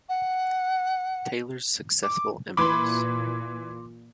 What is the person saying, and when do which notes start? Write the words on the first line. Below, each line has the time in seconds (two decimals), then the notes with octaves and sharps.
Taylor's successful Impulse!
0.09 F#5
2.03 D6
2.57 A#2 E3 B5 C6 D6